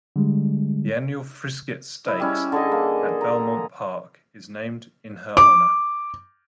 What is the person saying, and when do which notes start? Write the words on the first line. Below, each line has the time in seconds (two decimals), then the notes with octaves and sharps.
The annual Frizette Stakes at Belmont Park is named in her honor.
0.16 D3 G3 G#3
2.05 E4 D#5
2.20 G3 C#4 E4
2.52 D3 G#4 D#5
2.72 A#3
3.21 A#5
5.37 D6